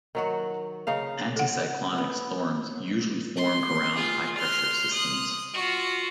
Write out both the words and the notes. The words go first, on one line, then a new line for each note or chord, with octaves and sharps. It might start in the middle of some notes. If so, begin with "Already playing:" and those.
Anticyclonic storms usually form around high-pressure systems.
D#3 F#3 F#4
C#3 D#4 F5
A4 F#5
B3
C6
F4 G#4
C6 F6
D#6 F#6
F4 F#4